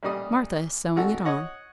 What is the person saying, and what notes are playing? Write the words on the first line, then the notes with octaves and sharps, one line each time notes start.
"Martha is sewing it on."
A1 A#2 G3 D#5 D#6
G#1 F#4 A4
C#5 D#5 F#5